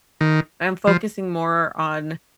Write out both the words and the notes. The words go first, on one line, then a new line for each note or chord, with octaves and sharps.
I'm focusing more on
D#3
F3